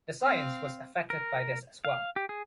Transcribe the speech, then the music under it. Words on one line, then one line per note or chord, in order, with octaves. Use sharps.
The science was affected by this as well.
C4 F5
A#4
F5
G4
G#4